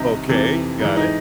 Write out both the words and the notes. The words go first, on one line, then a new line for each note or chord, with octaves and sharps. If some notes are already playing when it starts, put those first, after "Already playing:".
Okay. Got it.
Already playing: C2 C3 D#3 D#4
F2 C3 E3
G#2 E3
D#4